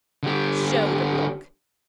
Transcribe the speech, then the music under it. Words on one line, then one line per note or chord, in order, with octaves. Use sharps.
"Show the book."
D3 G4